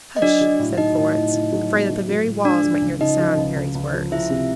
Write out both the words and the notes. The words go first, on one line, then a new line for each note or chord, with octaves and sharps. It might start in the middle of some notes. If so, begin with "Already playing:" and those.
"Hush!" said Florence, afraid that the very walls might hear the sound of Harry's words.
D#5
F#3 D4 D5
F#3
A2
F#3 D#4 D#5
A2
A2
A2
F#3
B3
F#3
F#3
A2
G#3 D4 D5
F3
C#2
C#2 D#4 D#5
F3
C#2
C#2
C#2
F3
F3 E4 E5
C3